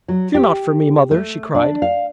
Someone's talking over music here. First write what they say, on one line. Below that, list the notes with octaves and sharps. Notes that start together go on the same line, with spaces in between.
'Fear not for me, mother,' she cried.
F#3
G4
A3
D4
F5